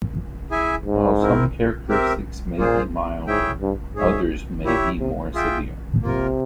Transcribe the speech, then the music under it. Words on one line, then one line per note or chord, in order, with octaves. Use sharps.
While some characteristics may be milder, others may be more severe.
E4 G#4 E5 G#5
G#2
C4 E4 A#4
C4 G4 A#4 E5
A#2 A#3 F4 G#4 C5
G#2 E4 G#4 C#5 E5 G5
G2
G#2 G#4 C#5 E5
A#2 E4 G4 C#5 E5
C3
F4 G#4 E5 G5
C3 A#3 F4 A#4